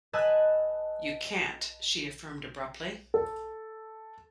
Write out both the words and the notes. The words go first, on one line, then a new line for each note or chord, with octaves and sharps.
"You can't," she affirmed abruptly.
B4 D#5 G#5 A5 E6 F#6
A4